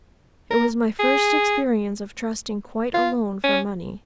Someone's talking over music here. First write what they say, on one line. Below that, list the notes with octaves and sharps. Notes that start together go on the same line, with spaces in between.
It was my first experience of trusting quite alone for money.
A#4
G#4
F4
C#4